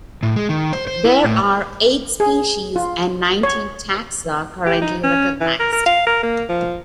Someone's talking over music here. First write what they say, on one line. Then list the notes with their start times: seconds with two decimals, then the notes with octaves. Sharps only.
There are eight species and nineteen taxa currently recognized.
0.23 A2
0.36 G#3
0.49 D#3
0.73 C5
0.87 C5
1.04 E4
1.24 A2
2.20 G#4
2.76 F4
3.43 C#5
4.66 G4
4.82 D#4
5.04 C#4
5.41 E3
5.59 A#4
5.72 A#4
5.86 F5
6.07 A#4
6.23 A#3
6.49 F3